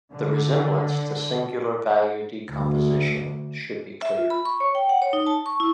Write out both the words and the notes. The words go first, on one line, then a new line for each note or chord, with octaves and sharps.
The resemblance to Singular Value Decomposition should be clear.
D3
D2
E5
F4
B5
C#6
C#5
G5
F#5
C#5
D#4
A5
C#6
E4